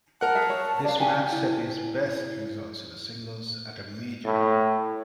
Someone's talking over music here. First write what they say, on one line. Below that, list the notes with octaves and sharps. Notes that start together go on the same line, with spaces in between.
This matched Seppi's best result in singles at a Major.
A#4 F#5 A5
G#4 E5
C#5
D5 F5
C#4 G4 G#5
E4
A2